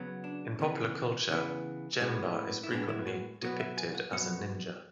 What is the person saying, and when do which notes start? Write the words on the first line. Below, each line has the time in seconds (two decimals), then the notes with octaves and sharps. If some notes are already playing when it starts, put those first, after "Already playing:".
In popular culture, Genba is frequently depicted as a ninja.
Already playing: C#3 F#3 B3
0.24 D4
0.59 C#3 E3 B3
1.30 C#3 E3 B3
2.00 A2 G#3 B3 C#4
2.64 E4
2.71 A2 G#3 B3 D4
2.89 E4
3.07 F#4
3.42 B2 F#3 B3 F#4
3.60 E5
3.77 G#5
3.95 F#5
4.12 B2 F#3 B3 F#5